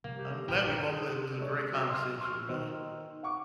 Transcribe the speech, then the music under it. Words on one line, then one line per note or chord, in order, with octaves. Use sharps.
I'm glad we both it was a great conversation, really.
C3 F3 G3 A#3
G4
A#1 G2 A#2 D#4 A#4 B4 G5
D4 G#4
G#3 D4 G#4 A4 C#5
F#3 D#5
C6 F6
C6 C#6 E6 F6
D#3 D#4 C5
F5 F#5 C#6 D6